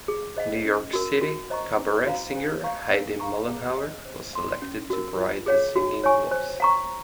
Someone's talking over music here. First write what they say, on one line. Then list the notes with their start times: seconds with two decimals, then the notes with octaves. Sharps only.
New York City cabaret singer Heidi Mollenhauer was selected to provide the singing voice.
0.08 G#4
0.37 C5 D#5 F#5
0.65 C#4
0.93 F#4 A#4
1.21 F#4
1.50 C5 D#5 A#5 C#6
1.78 C#4
2.06 F#4 C5 F5 A#5
2.35 C5
2.63 F5 A#5 C#6
2.92 A#4
3.20 F5 A#5 C#6
3.49 G#4
3.77 D#5 F#5
4.05 C5
4.33 F#5 C6
4.62 C#4
4.90 F#4 A#4
5.18 F4
5.46 G#4 C#5 F#5
5.76 F#4
6.04 C#5 G#5 C#6
6.31 C5
6.60 F#5 A#5 C#6